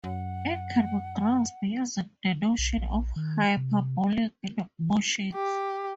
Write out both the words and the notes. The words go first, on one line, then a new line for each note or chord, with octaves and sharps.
It can be grasped using the notion of hyperbolic motions.
F#2 F#5
B1
A#1
D#3
C3
G4